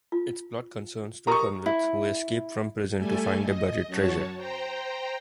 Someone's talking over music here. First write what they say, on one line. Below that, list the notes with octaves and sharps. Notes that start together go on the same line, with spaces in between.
Its plot concerns two convicts who escape from prison to find a buried treasure.
F4
G4 A#4 A#5 C#6 D#6
E4
G3 A3 A4 G#5
D#5
F#2 F#4 C#5 A5
C5 G5 A#5